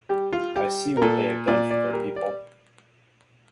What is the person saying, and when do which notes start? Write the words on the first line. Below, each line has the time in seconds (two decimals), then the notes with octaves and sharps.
I see what they have done for their people.
0.09 G3 G4
0.33 F4
0.56 G3 G4
0.97 A#4
1.02 A#2 A4
1.48 A#2 D5
1.71 D5
1.93 G3 A#4
2.16 D5